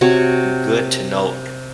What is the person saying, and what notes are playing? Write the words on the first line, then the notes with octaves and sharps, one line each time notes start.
good to note,
C3 F#4 C#5